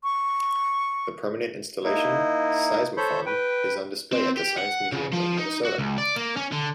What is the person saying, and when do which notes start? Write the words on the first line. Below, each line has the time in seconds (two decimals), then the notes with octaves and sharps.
The permanent installation Seismofon is on display at the Science Museum of Minnesota.
0.04 C#6
1.84 A#3 D#4 E4
2.97 A4 C5 C#5 B5 G6
3.26 B4 G5
4.13 C4
4.37 G4
4.58 F#5
4.92 C#3
5.13 F3
5.37 D#4
5.65 F#4
5.78 C#2
5.98 D5
6.16 A#3
6.37 C#4
6.52 D3